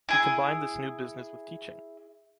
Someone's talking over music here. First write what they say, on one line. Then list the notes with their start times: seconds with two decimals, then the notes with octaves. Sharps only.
He combined this new business with teaching.
0.09 E4 G#4